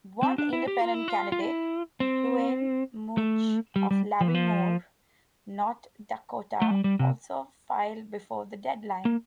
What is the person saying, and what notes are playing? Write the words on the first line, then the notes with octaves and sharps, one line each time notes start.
One independent candidate, Duane Mutch of Larimore, North Dakota, also filed before the deadline.
C4
D4
E4
G4
F4
E4
F4
F4
E4
C4
A3
G3
G3
F3
E3
F3
A3
G3
G3
C3
A#3